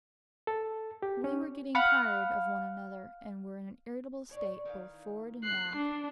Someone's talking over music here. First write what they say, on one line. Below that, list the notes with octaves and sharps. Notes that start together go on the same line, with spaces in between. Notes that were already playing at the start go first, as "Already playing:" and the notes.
We were getting tired of one another, and were in an irritable state, both forward and aft.
A4
G4
C#4
F5 F#5 B5
A2 C#5 D5
D#3 E3 F5
F3 F#6 C7
D4